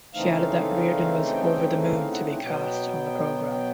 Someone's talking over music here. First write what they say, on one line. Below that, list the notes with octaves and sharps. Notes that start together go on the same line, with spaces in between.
She added that Riordan was "over the moon" to be cast on the programme.
C#3 E3 A3 C4 D#4 F5
G5
F5
F#5
B2 F#3 B3 G5
G5